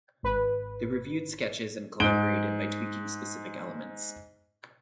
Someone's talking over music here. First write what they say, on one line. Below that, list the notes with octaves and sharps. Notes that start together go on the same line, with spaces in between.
They reviewed sketches and collaborated by tweaking specific elements.
G#1 B4
G#2 D7 G7